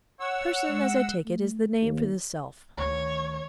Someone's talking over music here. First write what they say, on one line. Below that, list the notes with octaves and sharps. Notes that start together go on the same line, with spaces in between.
PERSON, as I take it, is the name for this self.
C#5 F#5 E6
G#3
A3
D#2
D2 D#3 C#5